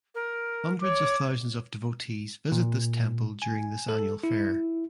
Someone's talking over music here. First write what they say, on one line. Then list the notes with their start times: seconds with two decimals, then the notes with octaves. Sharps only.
Hundreds of thousands of devotees visit this temple during this annual fair.
0.15 A#4
0.82 C#5 D6
2.52 A#2
3.42 G#5
3.89 A4
4.23 E4